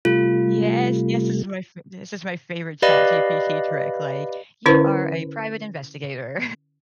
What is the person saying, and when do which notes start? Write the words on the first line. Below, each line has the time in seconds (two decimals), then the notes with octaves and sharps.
Yes! This is my f this is my favorite ChatGPT trick, like, "You are a private investigator."
0.05 C3 G3 A3 F4
2.82 G4 B4 D5 D#5 F5 B5
4.66 D3 C#4 E4 B4 C5